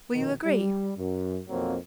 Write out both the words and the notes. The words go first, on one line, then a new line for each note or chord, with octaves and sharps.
Will you agree?
A#1 B2 D#3
G3
F#2
B1 F2 F#3 A#3 C4